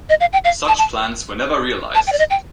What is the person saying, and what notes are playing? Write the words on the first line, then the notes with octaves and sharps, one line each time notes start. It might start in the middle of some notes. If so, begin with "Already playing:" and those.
Such plans were never realized.
D#5
F5
G5
F5
A5
A5
A5
G5
D5
D#5
G5